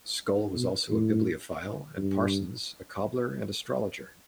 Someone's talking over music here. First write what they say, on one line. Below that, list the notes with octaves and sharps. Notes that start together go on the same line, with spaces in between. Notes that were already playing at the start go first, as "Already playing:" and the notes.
Scull was also a bibliophile and Parsons a cobbler and astrologer.
B2
A2
G2